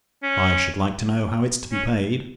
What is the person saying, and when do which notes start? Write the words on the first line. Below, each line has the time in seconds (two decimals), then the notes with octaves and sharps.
I should like to know how it's to be paid?
0.23 C#4
1.72 C#4